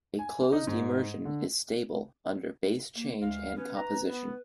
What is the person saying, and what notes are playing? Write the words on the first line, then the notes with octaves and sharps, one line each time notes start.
A closed immersion is stable under base change and composition.
G#5
D#4
G#2
D3
A#3
D2 G#3 F5
E3 B3 C#4 B4
A#5
B3